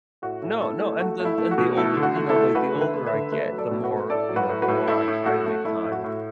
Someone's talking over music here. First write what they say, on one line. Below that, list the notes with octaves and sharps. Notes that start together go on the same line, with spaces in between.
No, no, and then and the older you know, like, the older I get, the more you know, the more I try to make time,
A2 F#4
A2
A3 E4 A4
A3
A3 F#4
A3
E4
A3
F#4
B2
A3 E4 A4
D3
F#4
A3
E4 A4
A3
A3 F#4 B4
D3
B4 E5
A3
B4 E5
D3
A3 B4 E5
F#3
A4 D5
B2
F#4 B4
A3
A2 A4 D5
F#3
F#4 B4
A2
F#4 B4
A2
A2 E4 A4
A2
A3 F#4
A3
A3 E4
A2
F#4
A2